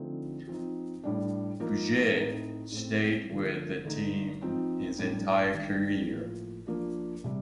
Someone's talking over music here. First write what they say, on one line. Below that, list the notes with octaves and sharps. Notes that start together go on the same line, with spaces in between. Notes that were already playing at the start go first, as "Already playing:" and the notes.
Boogerd stayed with the team his entire career.
Already playing: D3 F3 A3 C4 D#4
F3 C4 D#4
A2 G3 D4
F3 A#3 D#4
A2 A3 C4 D#4
A2 A3 C4
D3 F3 A3
D3 A3 D#4
F3 C4 D#4
A2 G3 D4
D#3 G3 D4
A2 F3 A#3
F3 A#3 D4
C3 G3